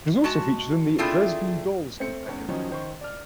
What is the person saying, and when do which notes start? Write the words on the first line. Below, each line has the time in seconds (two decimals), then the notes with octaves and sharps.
It was also featured in "The Dresden Dolls Companion".
0.24 G#3 F#4 A5
0.98 A3 C4 D4 E4 F4 G#4
2.00 A3 C4 C5 C#7
2.28 E2 C#4
2.48 D#3 F3 F#3 C#4 D#4
2.70 D#3 C5 C#6
3.01 D5 F6